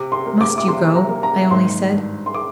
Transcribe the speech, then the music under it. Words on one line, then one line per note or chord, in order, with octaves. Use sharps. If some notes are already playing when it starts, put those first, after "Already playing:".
"Must you go?" I only said.
Already playing: C3 D6
C6
A#3
D6
D6
C3 C6
A#5
A#3
A#5
G#1 C6
G2
C6
D6